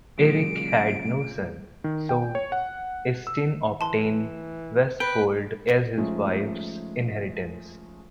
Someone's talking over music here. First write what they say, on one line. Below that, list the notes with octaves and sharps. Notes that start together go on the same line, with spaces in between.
Erik had no son, so Eystein obtained Vestfold as his wife's inheritance.
A#2 C#3 F#3 G#3 D7
D#3
G5
C#5
F#5
E6
E3 A5 C6
B4 G5
F3 G#3 A3 C#4 D#4 F4